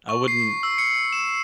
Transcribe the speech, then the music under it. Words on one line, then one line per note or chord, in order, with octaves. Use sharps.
I wouldn't
C#6
C7
E6
C#7
E7